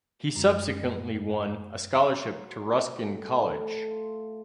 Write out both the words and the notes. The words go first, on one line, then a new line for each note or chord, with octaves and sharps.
He subsequently won a scholarship to Ruskin College.
F#2 G#3
F#3
C5
A2
A3
A4
F4